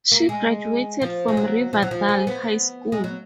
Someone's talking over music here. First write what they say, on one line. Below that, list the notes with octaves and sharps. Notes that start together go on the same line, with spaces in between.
She graduated from Riverdale High School.
A#3
G#3
F3
G#3
F#3
F3
F#3
F3
G#3
B3
G#3
F#3